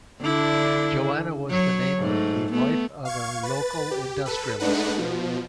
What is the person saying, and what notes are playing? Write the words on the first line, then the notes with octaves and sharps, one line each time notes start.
Joanna was the name of the wife of a local industrialist.
D3 D4 E4
F#3 C#5
G#2 A3
A3 B3
F5 C#6 G#6
B4 A6
G4
A4 B4
G#3 A3 D4 D#4 B4 F#5
B2 F3